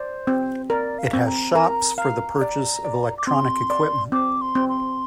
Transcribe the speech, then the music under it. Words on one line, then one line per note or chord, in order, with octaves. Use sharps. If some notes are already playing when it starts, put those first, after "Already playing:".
It has shops for the purchase of electronic equipment.
Already playing: C5 D5
C4
A#4 D5
F5
C4
A#5
A#4 A#5
F5 A#5
D5
D5
D6
C4 C6
D5
C4 D6
C6
C4
C6